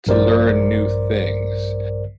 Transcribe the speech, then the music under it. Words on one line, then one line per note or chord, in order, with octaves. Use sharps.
to learn new things
A#1 G2 A#4 C5 D5